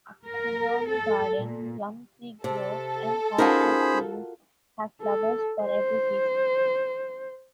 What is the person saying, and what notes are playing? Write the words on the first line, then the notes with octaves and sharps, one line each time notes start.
A peony garden, plum tree grove and cosmos fields have flowers for every season.
A#4
A4
A#2
C3 A4
C#4 D#4 F4 F#4 G#4 A#4 C5 B5
A4
C5